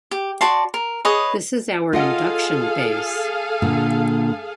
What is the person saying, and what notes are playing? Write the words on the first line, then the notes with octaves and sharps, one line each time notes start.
This is our induction base.
G4
F#4 D5 A5 C6
A#4
G#4 B4 C#5 D#5
F4 G#4 A4 D#5 F5 F#5
A#2 D3 A#3